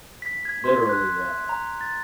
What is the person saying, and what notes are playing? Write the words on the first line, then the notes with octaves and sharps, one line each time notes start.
um, literally, uh
B6
G#6
C6
F#6
A#5
A6